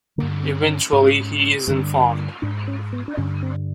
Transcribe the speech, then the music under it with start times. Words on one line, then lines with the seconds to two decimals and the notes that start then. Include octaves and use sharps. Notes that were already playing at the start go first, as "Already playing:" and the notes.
Eventually he is informed.
0.18 D3 A#3
0.22 G2
0.43 C4
0.63 D4
0.68 C#4
0.92 G#2 C#4
1.67 G2 D3
2.42 G#2 D4
2.67 C#4
2.93 B3
3.08 D4
3.17 G2 D3 C#4
3.43 C4